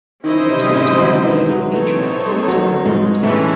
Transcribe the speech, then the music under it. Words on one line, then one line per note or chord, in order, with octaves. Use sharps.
A suggestion of the Vedic Vritra and his horde of monsters.
D#3 C#4 D#4 E4 C5 D#5
C3 C4
G#2 G#3
F#3
E3
F#3
E3 C4 D#4 A4 C#5
F#3
G#2 G#3
A2 E3 G#3 A3 C#4